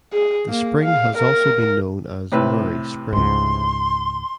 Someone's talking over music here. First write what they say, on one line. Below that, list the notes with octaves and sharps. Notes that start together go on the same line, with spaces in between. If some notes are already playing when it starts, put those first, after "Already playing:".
The spring has also been known as Murray Spring.
G#4
A#3
F5
A#4
A2 C3 B4
C#2 G#2 C6